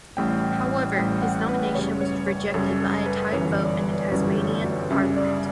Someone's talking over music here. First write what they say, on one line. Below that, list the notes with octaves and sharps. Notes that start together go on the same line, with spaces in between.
However, his nomination was rejected by a tied vote in the Tasmanian Parliament.
A1 A2 G3 G5
A1 A2 G3 G5
F#5
B4
F#2 C#3 G3 C#5
C#5
C#5
F#2 C#3 G3 A4
A4
B4
G1 F#2 E3 G3 C#5
D5
G1 F#2 E3 G3 C#5
A4
G4
F#4
F#2 C#3 G3 E5
D5